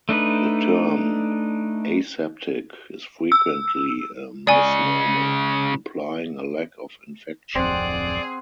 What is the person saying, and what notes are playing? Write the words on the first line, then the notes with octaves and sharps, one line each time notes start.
The term "aseptic" is frequently a misnomer, implying a lack of infection.
A3 D4 D#4 B4
E6
C#3 G#3 D5 G#5
D1 F2 C4 G#4 D5 F#5